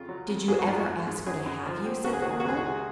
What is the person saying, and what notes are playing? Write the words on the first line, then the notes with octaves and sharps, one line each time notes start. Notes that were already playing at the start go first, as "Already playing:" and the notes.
"Did you ever ask her to have you?" said the earl.
Already playing: F2 C#3 F4
F#3
F2
G#2 G#4
F#4
G#2 F4
F#4
G#2
G#2
F#2 G#4
F#2
F3
C4
C#2 F#4
G#4
D#3 F#4
G#4
F#4
C#2 G#4
F#4
C3